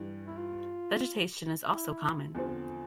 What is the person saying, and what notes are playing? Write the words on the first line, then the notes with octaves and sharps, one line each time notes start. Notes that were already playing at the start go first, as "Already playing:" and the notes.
Vegetation is also common.
Already playing: G2 E3 G3
E4
F4
E4
E2 D3 F3 C4